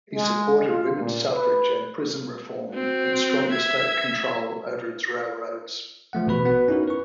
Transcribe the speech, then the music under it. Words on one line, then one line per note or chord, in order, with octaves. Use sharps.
He supported women's suffrage and prison reform, and stronger state control over its railroads.
G#3
F4
A#2
B4
C4 F#4
E5 G#6
F3 A3 F#5
A1 B2 B4 B5
B3 F#4 B4
C#4 D#4 E4 F#4 A#4
B4 C#6